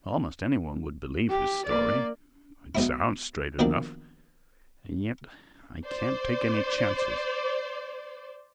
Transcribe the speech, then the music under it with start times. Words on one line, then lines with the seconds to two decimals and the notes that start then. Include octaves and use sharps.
Almost any one would believe his story--it sounds straight enough--and yet I can't take any chances.
1.29 G4
1.66 A#3 D5
2.75 B1 G#2 E4
3.59 B1 D#3 F3 A#3 D4 D5
5.85 C5 D5